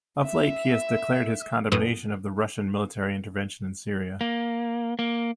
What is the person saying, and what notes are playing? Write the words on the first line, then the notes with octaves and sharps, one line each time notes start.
Of late, he has declared his condemnation of the Russian military intervention in Syria.
E5
F#2 A2 B3 D#6
A#3
A#3